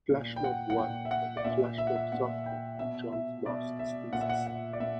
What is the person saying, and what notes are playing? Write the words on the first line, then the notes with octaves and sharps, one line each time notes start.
FlashMob I and the FlashMob software was John's master's thesis.
A#2
G5
F#5
F#5
A#2 G5
E5
F#5
D5
A#2 E5
E5
F#5
E5
A#2 F#5
G5
B2 E5
E5
B2 D5
E5
A#2 F#5
E5
F#5
F#5
D5
A#2 E5